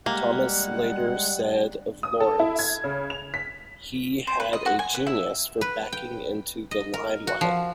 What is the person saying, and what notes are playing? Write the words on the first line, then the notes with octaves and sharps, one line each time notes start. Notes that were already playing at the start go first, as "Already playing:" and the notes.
Thomas later said of Lawrence, He had a genius for backing into the limelight.
G3 G#3 A#3 F#5
D#6
A4
E4
G#6
C#3
F7
B6
C5
B4
D#5
F#4
G#5
B4
E4
B4
G5
D#5
A#4
F#4
F3